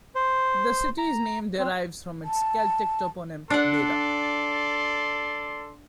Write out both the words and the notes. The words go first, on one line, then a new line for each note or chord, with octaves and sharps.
The city's name derives from its Celtic toponym, "Beda".
C5
A#5
C4
A5
D4 A4 D5 F#5 C6